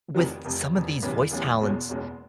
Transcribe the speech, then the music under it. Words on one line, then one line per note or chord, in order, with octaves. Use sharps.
with some of these voice talents,
F1 F2 C3 D#3 F#3
F1 F2 C3
F1 F2 C3
F1 E2 C#3 E3 G3
F1 E2 C#3 E3 G3
F#1 E2 B2 G#3 C#4
F#1 E2 B2 G#3 C#4